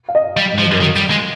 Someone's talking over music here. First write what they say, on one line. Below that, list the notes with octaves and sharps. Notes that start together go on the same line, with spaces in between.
one of those
F5
D#5
G3
F3
D#3
G3
G#3